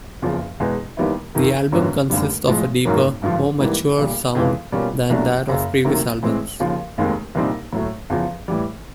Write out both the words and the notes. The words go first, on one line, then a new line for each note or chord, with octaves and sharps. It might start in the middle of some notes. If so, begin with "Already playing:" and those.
The album consists of a deeper, more mature sound than that of previous albums.
F#1 E2 C#3 F3
E2 B2 G#3 B3
D#2 D#3 G3 B3 E4
F2 C3 D#3
G#1 F#2 D3 F#3 B3
F1 D#2 D3 G3
A2 F3 G#3
G#1 F#2 D#3 F#3 A#3
G#1 G2 D3 F3
G#2 E3 G3 A#3
B1 A#2 G3
F2 C#3 E3 G#3 B3
B2 G3 A#3 C#4 F4
C2 A#2 F#3 A3 D4
F#1 F#2 C#3
D2 C3 D#3 F#3 A#3
A2 E3 G#3 C4
D#2 C#3 F3
F1 D#2 D#3 G#3 C4
C2 A#2 G3 C4 D#4
A2 F#3 A3
E2 C#3 F3
A2 E3 G3